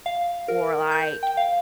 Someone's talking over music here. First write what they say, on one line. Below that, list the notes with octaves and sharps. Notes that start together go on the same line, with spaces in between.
Or, like,
F5
A#4
G6
G5
F5